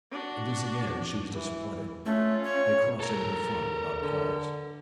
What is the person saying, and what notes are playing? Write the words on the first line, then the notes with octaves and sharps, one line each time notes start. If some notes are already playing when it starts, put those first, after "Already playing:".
In this again she was disappointed: they crossed into the front without a pause.
D4 F#4
E3
A3 C#4 F4
C#5
A4 A#4
D3